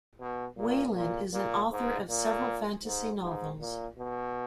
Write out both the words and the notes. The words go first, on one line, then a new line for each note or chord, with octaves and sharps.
Whelan, is an author of several fantasy novels.
B2
A#2
A#2
A#2
G#2
A#2
G#2
G#2
A#2
B2